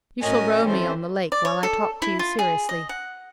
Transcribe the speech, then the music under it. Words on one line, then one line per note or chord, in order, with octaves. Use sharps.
"You shall row me on the lake while I talk to you seriously."
A2 C#4 F#4 A#4 D#5 G#5
E3 G3 C4 C#4 A4 C5
D5
C#5
A4
E4
F4
G#4
D#5
F#5